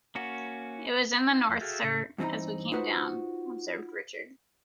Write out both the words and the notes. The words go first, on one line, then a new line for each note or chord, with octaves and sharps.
"It was in the north, sir, as we came down," observed Richard.
A#3 C#4 F#4
C4 D#4
F2 F#5 C6
F#4 G#4 A4 E5 F5 G5
A2 C#3
G2 E3 C4 D#4 E4 A#5
D#4 F4 F#4 B4 C5